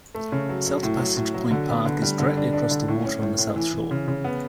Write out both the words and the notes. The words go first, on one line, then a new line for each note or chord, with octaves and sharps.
South Passage Point Park is directly across the water on the south shore.
A3
C#3
F#3
F#3
A2
F#3
A2
F#3
D3
B3
D3
G3
D3
D4
D4
D3
A2
C#4
A2
A2
E3
E3
C#3
C#3
B3